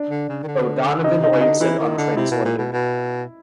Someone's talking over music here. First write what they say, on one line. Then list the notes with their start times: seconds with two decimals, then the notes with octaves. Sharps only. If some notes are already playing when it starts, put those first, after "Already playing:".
O'Donovan leaves it untranslated.
Already playing: D4
0.10 D3
0.29 C#3
0.43 D#3
0.47 D3
1.04 C#3 D#4
1.18 C3
1.23 D#4
1.32 C#3
1.41 D3 D#4
1.60 E3 E4
1.79 D#3
1.98 D3
2.17 C3 E4
2.31 B2
2.45 A#2
2.58 B2
2.73 B2